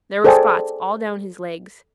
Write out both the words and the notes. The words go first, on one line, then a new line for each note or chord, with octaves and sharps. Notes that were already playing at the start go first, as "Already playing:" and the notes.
There were spots all down his legs.
G#4 A4 C5 D5 G5 G#5